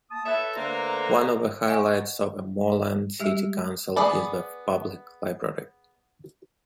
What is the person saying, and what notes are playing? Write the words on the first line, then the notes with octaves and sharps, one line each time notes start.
One of the highlights of the Moreland City Council is the public library.
A#3 A5 D#6
A4 B4 C#5 E5
D3 A3 A#3 B4 C5 A#5
D#5 F#5 G#5 C#6
G3 G#3 G4
B3 G#4 B4 D5 B5